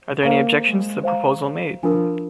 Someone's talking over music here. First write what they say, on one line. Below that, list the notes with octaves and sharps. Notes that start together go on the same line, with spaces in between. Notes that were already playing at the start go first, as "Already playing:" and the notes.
Are there any objections to the proposal made?
A#3 C5 F5 A#5
G#3
C5 F5 A#5
F3 D4 F4 A#4